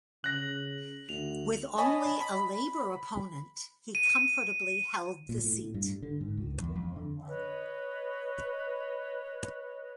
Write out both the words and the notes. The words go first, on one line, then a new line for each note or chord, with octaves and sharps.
With only a Labour opponent he comfortably held the seat.
C#3 F#6 A#6 F#7
D2 F7
C#5 D#5 G#5 A5 B5 D#6
B5
D#7
A#2
A2
G2
D3
G#2
C#2
E2
F2
D3
B4 C#5 D#5